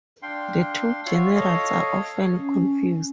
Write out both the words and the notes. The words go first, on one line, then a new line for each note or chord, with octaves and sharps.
The two generals are often confused.
D4 F5 G5 C6
F4 F#4 C#5 E5 F5
A4 C#5 D#5 F5
C#4